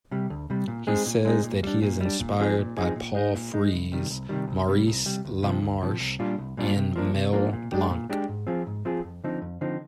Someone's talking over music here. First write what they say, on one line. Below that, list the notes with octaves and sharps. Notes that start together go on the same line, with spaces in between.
He says that he is inspired by Paul Frees, Maurice LaMarche, and Mel Blanc.
C3 G3
D2
C3 G3
A#2
G#3 C4 D#4 G#4
A#2
G#3 C4 D#4 G#4
A#2
G3 D4
A#2
G3 D4
A#2
F3 C4 D#4 G#4
A#2
F3 C4 D#4 G#4
A#2
G#3 D#4
A#2
G#3 D#4
C2
C3 D#3 G3
C2
C3 D#3 G3
C2
C3 G3
C2
C3 G3
D2
C3 F3
D2
C3 F3
C2
A#2 G3 D4 F4
C2
A#2 G3 D4 F4
C3
F3 A#3 D4
C3
F3 A#3 D4
A#2
G#3 D4 G4
A#2
G#3 D4 G4
G#2
F3 C4 F4 G#4
G#2
F3 C4 F4 G#4
F2
D3 F3 C4 D#4
F2
D3 F3 C4 D#4